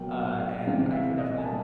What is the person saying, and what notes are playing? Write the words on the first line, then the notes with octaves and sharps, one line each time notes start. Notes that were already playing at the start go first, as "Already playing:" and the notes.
uh, and I can definitely
Already playing: B2 F#3 A#3 G5
F#5
F5
C3 E3 G#3 F5
E5
D#5
G#5
G3 A#3 A5